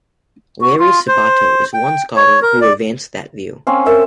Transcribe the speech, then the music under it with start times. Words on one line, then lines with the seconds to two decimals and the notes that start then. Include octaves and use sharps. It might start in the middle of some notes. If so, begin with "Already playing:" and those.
Larry Sabato is one scholar who advanced that view.
0.61 F#4
0.79 F4
1.07 C5
1.74 G5
2.16 C#5
2.42 A#4
2.61 D5
3.67 C4 C#4 F5
3.86 A#4 E5